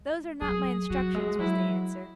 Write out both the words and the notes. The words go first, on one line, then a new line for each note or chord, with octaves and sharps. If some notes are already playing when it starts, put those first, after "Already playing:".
'Those are not my instructions,' was the answer.
Already playing: G#3
F#3 G#4
F#3 F#4
G#3
F#3 E4